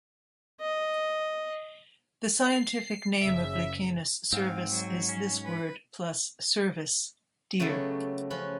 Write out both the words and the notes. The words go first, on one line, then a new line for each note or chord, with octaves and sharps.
The scientific name of "Lucanus cervus" is this word, plus "cervus", deer.
D#5
C7
F#1 C#3 E5
G#2 C4 F5
F#3
C#4
B4
C#3 F#3 A3 B3 G4 A4
F3 C#4 B4 B5